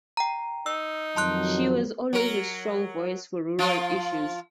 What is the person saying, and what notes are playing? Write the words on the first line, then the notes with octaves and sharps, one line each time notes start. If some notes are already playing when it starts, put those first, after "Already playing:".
She was always a strong voice for rural issues.
G5 A#5
D#4 E6
F2 D#3 F#3 A5 C6 F#6
F#3 A#4
F3 F4